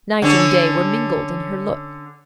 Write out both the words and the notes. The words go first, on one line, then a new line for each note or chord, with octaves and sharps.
Night and day were mingled in her look.
D3 C#4